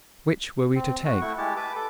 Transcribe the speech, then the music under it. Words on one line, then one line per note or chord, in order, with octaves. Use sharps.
Which were we to take?
C4
F#4
A3 E4 F#5 C#6
G#3 E4 G4 A5
B4 A5 D6
A4 D6